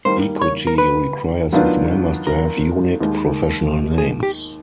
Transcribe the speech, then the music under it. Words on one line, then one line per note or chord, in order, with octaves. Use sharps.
Equity requires its members to have unique professional names.
D#3 G3 A#3 C5
C#5
A#4
B4
D#3 F#3 B3 D4 F4
A#4
D#2 D#3 G#3
G#4
G4